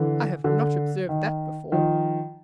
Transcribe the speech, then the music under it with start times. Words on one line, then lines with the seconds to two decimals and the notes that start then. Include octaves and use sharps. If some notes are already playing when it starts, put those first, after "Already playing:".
I have not observed that before.
Already playing: D3 E3
0.44 D3
1.09 D#3
1.72 D#3 F3